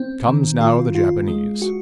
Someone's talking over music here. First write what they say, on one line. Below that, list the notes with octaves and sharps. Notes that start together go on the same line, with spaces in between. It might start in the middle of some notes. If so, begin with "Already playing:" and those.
Comes now the Japanese.
Already playing: C4
D#3
F4
F4
G#3
F#4